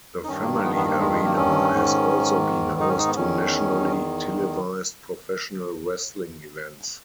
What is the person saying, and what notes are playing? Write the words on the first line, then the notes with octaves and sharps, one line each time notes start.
The Family Arena has also been host to nationally televised professional wrestling events.
D#4
G2 D#3 C#4
A#3
A#3
B3
B3
A#3
G#3
G#3
A#3
C#4
G#2 D#3
D#4
C#4
D#4
B3
E2 D#3 C#4